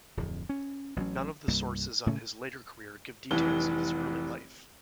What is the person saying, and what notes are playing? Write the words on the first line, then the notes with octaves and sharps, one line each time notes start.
None of the sources on his later career give details of his early life.
D1 F2
C#4
A1 F#3 A3 C#4
C2 G2 G3 A#3
A2 C#3 A3 C#4
F1 C2 E3 G7